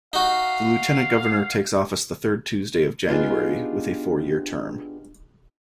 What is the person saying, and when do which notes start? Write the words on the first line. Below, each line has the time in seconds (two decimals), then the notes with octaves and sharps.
The Lieutenant Governor takes office the third Tuesday of January with a four-year term.
0.13 D#4 F#4 F5
3.08 B3 D4 D#4 F4 G4 G#4